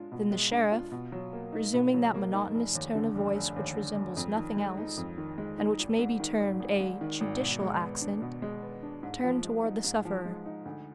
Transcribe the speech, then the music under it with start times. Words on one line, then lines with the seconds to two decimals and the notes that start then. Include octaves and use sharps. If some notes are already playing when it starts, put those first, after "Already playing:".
Then the sheriff, resuming that monotonous tone of voice which resembles nothing else, and which may be termed a judicial accent, turned towards the sufferer.
Already playing: G#3 D4 F4
0.12 B2
0.31 G#3
0.52 D4
0.72 F4
0.92 B2
1.12 F#3
1.33 A#3
1.52 D#4
1.74 B2
1.94 F#3
2.14 A#3
2.33 D#4
2.55 F1
2.75 D#2
2.95 D3
3.15 F1
3.35 F1
3.56 D#2
3.76 D3
3.96 F1
4.17 F2
4.37 D#3
4.57 G#3
4.77 D#4
4.97 F2
5.18 D#3
5.38 G#3
5.58 D#4
5.79 G#1
5.99 G#2
6.20 D#3
6.40 G#1
6.60 G#1
6.80 G#2
7.01 D#3
7.20 G#1
7.41 B2
7.61 G#3
7.82 B3
8.01 D4
8.22 B2
8.42 G#3
8.62 B3
8.83 D4
9.03 G#2
9.24 F3
9.43 G#3
9.63 D#4
9.84 G#2
10.05 F3
10.25 G#3
10.46 D#4
10.65 D2